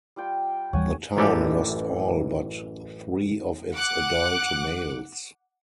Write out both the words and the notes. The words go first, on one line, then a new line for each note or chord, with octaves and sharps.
The town lost all but three of its adult males.
G3 F4 G5
D#2 E3 G3 C#5 F#5 G#5
A1 F#2 E3 G4 A4 D5
F#5 D6 F#6